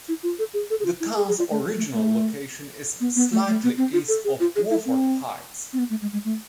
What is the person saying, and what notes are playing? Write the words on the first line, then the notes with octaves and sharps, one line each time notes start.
The town's original location is slightly east of Wofford Heights.
E4
F4
A4
G#4
A4
G#4
F4
E4
G#4
G#4
F4
A3
A3
A3
B3
B3
A3
A3
B3
C4
F4
A4
G#4
F4
G#4
E4
C4
C4
B3
A3
G#3
G#3
A3